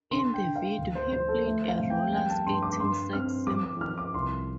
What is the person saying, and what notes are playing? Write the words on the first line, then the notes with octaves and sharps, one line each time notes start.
In the video, he played a roller-skating sex symbol.
D3 C6
G5
D3
F5
D2
C5
F3 C5
A4
A3 C5
F5
F2
G5
G3 G5
A5
G2 C6
D6
G2 C6
C4 F6
F3 D6
D6
F3 F6
D6
C2 C6